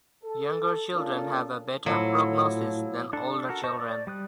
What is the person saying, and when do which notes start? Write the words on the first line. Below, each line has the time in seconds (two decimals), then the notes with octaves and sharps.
Younger children have a better prognosis than older children.
0.24 A4
0.94 A#3 C#4 D4 F4 A4
1.86 A2 F3 F#3 E4
3.13 D4 A4
3.49 F#4 A4 A#4
3.64 C5 D#5 A5 C#6
3.79 D5
4.07 G3 D#6 F#6